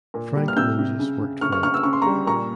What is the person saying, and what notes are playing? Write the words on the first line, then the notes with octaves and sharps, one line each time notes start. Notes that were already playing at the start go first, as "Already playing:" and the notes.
Frank Moses worked for it.
A#2
G3
F6
C3 E6 G6
C3
C#3
C#3
C#3 C#6 F6
C#6 F6
C#3 C#6 F6
E6
C#3 C#6
C6
A#5 C#6
G3
A#2 A#5 C#6